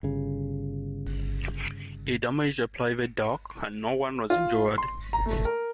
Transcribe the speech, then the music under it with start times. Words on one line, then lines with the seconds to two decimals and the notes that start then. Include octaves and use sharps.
It damaged a private dock, and no one was injured.
0.03 G1 C#3
4.30 F4
4.78 C6
5.13 A#5
5.26 A3
5.45 A#4